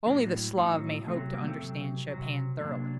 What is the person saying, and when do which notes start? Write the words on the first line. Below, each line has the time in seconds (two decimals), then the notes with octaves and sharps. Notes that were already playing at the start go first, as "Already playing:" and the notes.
Only the Slav may hope to understand Chopin thoroughly.
0.06 A2 F#3 A#3 D4
0.57 A2 F#3 C4 D#4
1.08 C3 F#3 A3 C4
1.33 G3 A#3
1.46 A3 C4
1.59 C3 F#3
2.10 C3 F#3
2.60 C3 F#3 A#3 D4